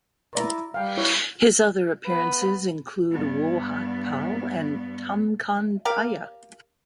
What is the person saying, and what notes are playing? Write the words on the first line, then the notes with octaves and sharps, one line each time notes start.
His other appearances include "Woh Aik Pal" and "Tum Kon Piya".
E4 D5 A#5
G3 F5 G5
E4 C#5
B3 B4
G2 B3
G4 A#4 F5